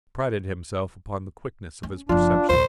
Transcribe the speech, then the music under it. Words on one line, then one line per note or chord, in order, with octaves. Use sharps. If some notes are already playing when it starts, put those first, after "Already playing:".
He prided himself upon the quickness of his perception.
C#4
F#1 F3 D4 F4
A#1 D#2 C5